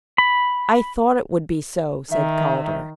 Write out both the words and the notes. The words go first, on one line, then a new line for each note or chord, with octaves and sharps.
"I thought it would be so," said Calder.
B5
D#3 E5